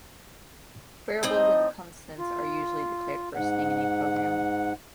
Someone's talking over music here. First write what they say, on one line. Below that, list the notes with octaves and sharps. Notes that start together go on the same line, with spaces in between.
Variables and constants are usually declared first thing in a program.
A2 C4 D#4 D#5
F4
G#2 F#5